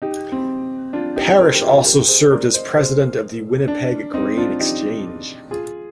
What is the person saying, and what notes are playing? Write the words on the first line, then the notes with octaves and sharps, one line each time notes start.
Parrish also served as president of the Winnipeg Grain Exchange.
D#4 G4
C4
D4 F4
D#4 G4
A#4
C5
G4 A#4
F4 G#4
G4 A#4
G#4 C5
A#4 D5
C5 D#5
G#4 C5
D4
C4 D#4
D4 F4
D#4 G4
F4 G#4